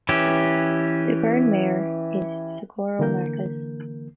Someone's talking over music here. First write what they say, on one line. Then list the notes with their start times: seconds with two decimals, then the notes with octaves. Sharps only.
The current mayor is Socorro Marquez.
0.09 E3 C#4 G4
2.99 D3 E3 A#3 A#4 G6